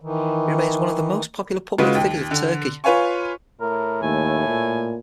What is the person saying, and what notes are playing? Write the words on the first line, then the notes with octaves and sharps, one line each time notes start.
He remains one of the most popular public figures of Turkey.
D#3 E3
C#3 G#3 F4 F#4 B4
D#2
D3
F4 B4 C#5 F5 G#5 C#6
A2 A#4
D#2 A3 G#5
A#2